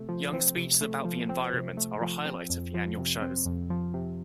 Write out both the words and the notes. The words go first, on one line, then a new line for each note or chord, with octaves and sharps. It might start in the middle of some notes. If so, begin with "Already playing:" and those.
Young's speeches about the environment are a highlight of the annual shows.
Already playing: C3 A3
F3
C4
C3
A3
F3
C4
C3
A3
F3
C4
F2
F3
C3
C4
F2
F3
C3